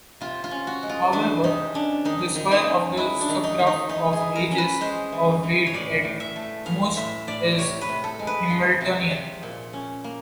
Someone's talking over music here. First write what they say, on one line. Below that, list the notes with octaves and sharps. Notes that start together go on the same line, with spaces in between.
However, the square of the subgraph of edges of weight at most is Hamiltonian.
C3 F4
F4
C#4
F#4
G#3
F4
E3 D4
C3 D#4
C#4 D4
D#3 D#4
D#3
D#4
C#4
G#3 E4
D4
D#3
D#4
D#3
D#4
E3 D#4
G#4
E3
A#4
C#4
B4
G#3 C5
E3
E3
C#5
A2 D5
A2
E5
A3
E3 F5
A2 E5
A2 D5
C3 C#5
B4
C3
A4
G#3
B4
F3
C3
C3
A#2
C#4
A#3